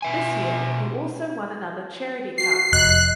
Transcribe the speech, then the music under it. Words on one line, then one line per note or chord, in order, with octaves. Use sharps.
This year he also won another Charity Cup.
B2 E5 G#5
F#4 C7
F1 D#5 F#6